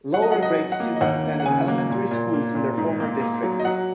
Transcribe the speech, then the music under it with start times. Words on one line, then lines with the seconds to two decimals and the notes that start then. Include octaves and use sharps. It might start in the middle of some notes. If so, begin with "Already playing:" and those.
Lower-grade students attended elementary schools in their former districts.
0.14 F#3 F#5
0.22 D#5
0.32 F#3 F#5
0.42 D#5
0.58 F#3
0.72 F#5
0.80 A#3
0.96 D#5
1.01 D#2 F#5
1.23 A#3
1.40 F#5
1.46 C#3 G#5
1.68 A#3
1.90 A#2
2.11 A#2
2.33 A#3
2.55 A#2
2.78 G#2
3.00 A#3
3.21 A#3
3.43 F#3
3.59 D#5
3.65 F#3 F#5